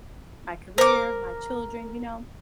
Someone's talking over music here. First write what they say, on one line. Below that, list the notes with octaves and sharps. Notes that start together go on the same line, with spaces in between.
my career, my children, you know?
A#4 C5 D6